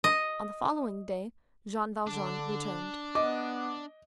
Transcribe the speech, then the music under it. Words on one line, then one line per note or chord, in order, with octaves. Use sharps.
On the following day Jean Valjean returned.
D#5
D3 D4
B3 D#5 D6